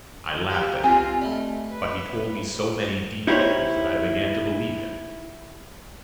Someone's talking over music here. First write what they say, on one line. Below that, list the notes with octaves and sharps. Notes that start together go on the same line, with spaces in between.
I laughed at him, but he told me so many details that I began to believe him.
G4 F5 G5 A#5
C4 F4 G4 G#5
A3 D5 D#5 B5
B4
D#4 E4 G4 G#4 C5 C#5